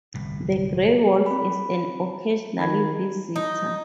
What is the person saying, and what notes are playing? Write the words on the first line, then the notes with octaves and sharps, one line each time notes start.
The gray wolf is an occasional visitor.
G1 C2 A2
C4 B5
D#3 A#5 B5 G#6
D#4